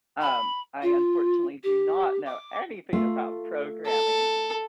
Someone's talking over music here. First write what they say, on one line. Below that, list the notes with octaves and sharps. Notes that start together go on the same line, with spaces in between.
um, I unfortunately do not know anything about programming,
B5
F4
G4
D6
A3 F4
A4